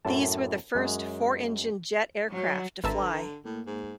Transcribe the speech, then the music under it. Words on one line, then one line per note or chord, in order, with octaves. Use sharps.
These were the first four-engine jet aircraft to fly.
F#2 A2 A5
F#2 G#3
F#3
G#1 D3 B4 E5 A5 A#5
A2 A#3
G#2